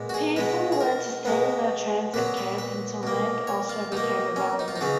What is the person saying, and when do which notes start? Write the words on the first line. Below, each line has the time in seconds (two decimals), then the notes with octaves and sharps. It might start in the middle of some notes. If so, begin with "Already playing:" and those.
People were to stay in the transit camp until land elsewhere became available.
Already playing: A#2 G#3 B3
0.09 F#4
0.14 G#4
0.36 B2 G#3 B3 B4
0.72 G#4
0.81 A#4
1.25 B2 G#3 B3
2.14 A#2 F#3 B3 B4
2.37 B4
2.58 B4
3.03 B2 A#3
3.47 C#5
3.69 F4
3.92 B2 A#3 D#4
4.36 C#4
4.59 D#4
4.68 F4
4.76 D#4
4.81 C#3 F#3 B3